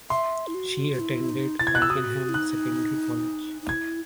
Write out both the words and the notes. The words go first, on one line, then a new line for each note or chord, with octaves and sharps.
She attended Pakenham Secondary College.
E5 C6
E4
F#4
F#4
E4
D#4
E4 A6
G#6
F#6
E6
F#4 D#6
E4
D#4 F#6
D#4
E4 G#6